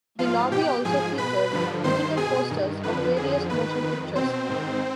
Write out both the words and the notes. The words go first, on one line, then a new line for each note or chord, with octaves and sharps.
The lobby also featured digital posters of various motion pictures.
G#2 F3 F4 F5
B2 G4 G5
G#2 F3 G#4 G#5
B2 B4 B5
G2 D3 F3
G2 D#3 C5 C6
B2 G#4 G#5
G2 D#3
F2 D3 F3 B4
F2 D3 F3 G#4
G#2 D#3 B4
F2 D#3
B2 C4 C5
G#2 D#3